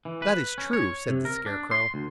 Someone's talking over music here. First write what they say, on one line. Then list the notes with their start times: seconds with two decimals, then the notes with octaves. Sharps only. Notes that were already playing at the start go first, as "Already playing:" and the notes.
"That is true," said the Scarecrow.
0.05 E3
0.22 B4
0.58 C#4
0.73 C#5
1.09 C3
1.25 A#4
1.46 D4
1.71 C6
1.94 D2